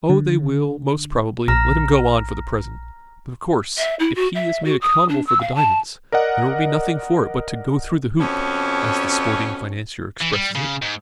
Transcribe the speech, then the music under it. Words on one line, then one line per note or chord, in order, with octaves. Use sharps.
"Oh, they will, most probably, let him go on for the present; but, of course, if he is made accountable for the diamonds there will be nothing for it but to 'go through the hoop,' as the sporting financier expresses it."
D3
A#1 A#5 F6 A#6
E5
E4
F#4
E5
F#4
D#6
D4
E6
F5
A5
A#4 D5 D#5 F#5
F2 B2 C#4
E3
G3
C#3
G#2